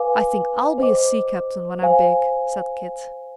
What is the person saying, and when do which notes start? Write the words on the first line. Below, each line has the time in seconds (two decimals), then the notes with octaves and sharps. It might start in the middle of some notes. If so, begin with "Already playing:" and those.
"I think I'll be a sea captain when I'm big," said Kit.
Already playing: B4 F5 G#5 D6
0.78 C5 D#5 G5 D6
1.82 C5 F5 G#5